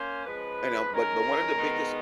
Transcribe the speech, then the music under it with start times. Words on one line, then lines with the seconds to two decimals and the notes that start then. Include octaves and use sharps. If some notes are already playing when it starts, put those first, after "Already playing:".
and, um but but one of the biggest
Already playing: A#3 C#4 C5
0.26 F3 G#3 C#4 B4
0.92 D#3 G#3 C#4 A#4
1.58 D#3 G#3 B3